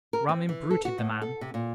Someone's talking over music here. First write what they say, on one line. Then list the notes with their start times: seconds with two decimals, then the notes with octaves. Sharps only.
Rum imbruted the man.
0.13 A#4
0.29 C4
0.49 E3
0.71 A4
0.85 F#4
0.98 A2
1.22 A4
1.41 C3
1.54 A#2